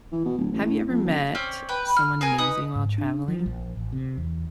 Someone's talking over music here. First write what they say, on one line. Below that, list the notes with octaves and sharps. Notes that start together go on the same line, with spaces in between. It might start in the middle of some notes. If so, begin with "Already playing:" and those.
Have you ever met someone amazing while traveling?
E3
B2
D1
A1
A2
F2
F#1
C4 C#4 D5
B4 G5
F6
G#4 A#4 G#5
D#4 B4 D#6
G#2
D4
F3
A#1
A1
C3
E2